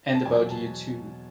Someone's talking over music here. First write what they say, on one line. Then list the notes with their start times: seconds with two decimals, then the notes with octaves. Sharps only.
And about you too!
0.14 A5
0.25 E2 B2 F#3 G#5
0.50 A5